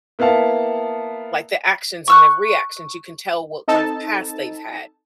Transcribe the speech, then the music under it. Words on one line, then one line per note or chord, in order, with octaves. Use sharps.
like, the actions and their reactions. You can tell what kind of past they've had
A#3 B3 E4 F5 A5
C#6 E6 F#6
C4 D#4 A4 A5